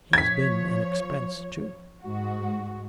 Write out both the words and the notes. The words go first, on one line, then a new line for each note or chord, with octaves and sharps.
He's been an expense too.'
F3 C#5 G#6 B6
G#2 F#4